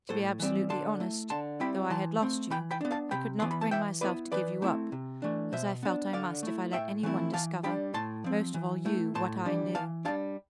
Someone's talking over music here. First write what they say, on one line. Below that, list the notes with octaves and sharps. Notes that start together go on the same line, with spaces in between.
To be absolutely honest--though I had lost you, I could not bring myself to give you up,--as I felt I must, if I let any one discover--most of all you--what I knew.
A2 A4 C5
E3 G3 C4
D3 A5 C6
A3 E4
D3 A5 C6
G3 C4 E4 G5 B5
E3 A5 C6
A3 C4
E3 G5 B5
G5 B5
B3 D4
F5 A5
C3 G5 B5
E3 B3 C6
B5
A5
E3 E5 G5
B3 E4 B4 D5
E3 B4 D5
A3 C4 E4
C3
E3 A3 D4
B2 C5 E5
B3 D4
D3 D5 F5
A3 E4
A2 E5 G5
E3 A3 C4 E4
E3 F5 A5
G3 D4 G5 B5
A2 A5 C6
F3 C4
E3
A3 E4
A2 A5 C6
E3 G3 D4
E3 F5 A5
G3 D4 F5 A5